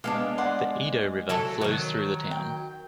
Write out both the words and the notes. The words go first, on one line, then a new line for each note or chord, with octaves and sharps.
The Edo River flows through the town.
G#3 B3 D4 F5
D5 F#5 C6
F#3 E4 A4
D#3 F#3
G5